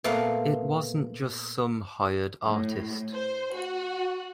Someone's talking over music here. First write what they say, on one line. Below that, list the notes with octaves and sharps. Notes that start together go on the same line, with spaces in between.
It wasn't just some hired artist.
A#2 A3 B3 A#4 F5 A#5
A2
C5
F#4